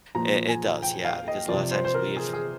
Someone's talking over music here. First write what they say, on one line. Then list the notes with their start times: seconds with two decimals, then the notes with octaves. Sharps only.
It it does, yeah, because a lotta times we've,
0.15 A#2 F3 A#5
0.49 G#5
0.83 G5
1.05 F5
1.28 D#5
1.49 C3 F3 D5
1.71 C5
1.85 C5
1.94 A#4
2.17 G#4
2.33 G#4